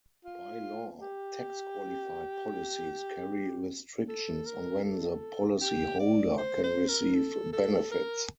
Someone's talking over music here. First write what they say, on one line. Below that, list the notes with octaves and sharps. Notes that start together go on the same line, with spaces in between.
By law, tax-qualified policies carry restrictions on when the policy holder can receive benefits.
F4
G4
A4
A#4
A4
G4
D5
C5
C5
A#4
A4
A4
A#4